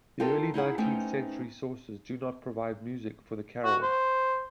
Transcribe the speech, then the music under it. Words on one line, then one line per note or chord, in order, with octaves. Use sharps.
The early nineteenth-century sources do not provide music for the carol.
D#4 F4 A4 A#4 G5
D#4 E4 G#4 F#5
A3 B3 C#4 D#4 C5 G5
F#4
C5